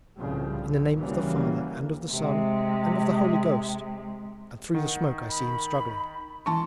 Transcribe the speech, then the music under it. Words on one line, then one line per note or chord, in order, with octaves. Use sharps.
"In the name of the Father and of the Son and of the Holy Ghost"... and through the smoke I see him struggling.
C2 F2 A2 C#3 F3 G3
D3
D#2 C#3 E3 F#3 G3 A#3
C3 G#3
D#3 F#5
B5
E3 A5 C6 C#6